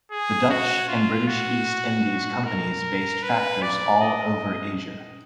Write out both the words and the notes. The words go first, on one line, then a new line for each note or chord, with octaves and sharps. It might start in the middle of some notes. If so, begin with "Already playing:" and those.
The Dutch and British East Indies companies based factors all over Asia.
G#4
F#4
F4
F#4
A#4
B4
D5
D#5